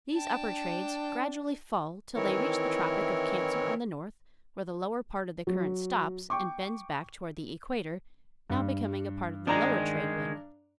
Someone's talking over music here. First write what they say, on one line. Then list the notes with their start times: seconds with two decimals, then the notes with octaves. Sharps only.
These upper trades gradually fall till they reach the tropic of Cancer on the north, where the lower part of the current stops and bends back toward the equator, now becoming a part of the lower trade wind.
0.14 D4 G5 A5
2.16 D#3 E3 C4 E4 A#4 C#5
5.47 F#3
6.30 G5 C#6 D6
8.50 G2
9.47 D#3 G#3 D4 A#5